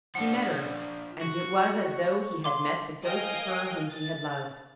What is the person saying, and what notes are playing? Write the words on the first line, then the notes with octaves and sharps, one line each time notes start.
He met her. And it was as though he had met the ghost of her whom he had loved.
F3 D4 F#5
F#4
F5 C6 D6
A#4 D#5 F5 G5 G#5
A6